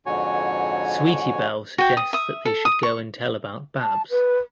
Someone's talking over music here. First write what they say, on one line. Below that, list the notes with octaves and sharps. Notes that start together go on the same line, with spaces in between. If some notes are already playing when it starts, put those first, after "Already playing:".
Sweetie Belle suggests that they should go and tell about Babs.
F2 G#2 D3 F#4 C#5 G#5
F#4 G5
D#6
E5 D#6
A4
D#6
C#6
A5
B4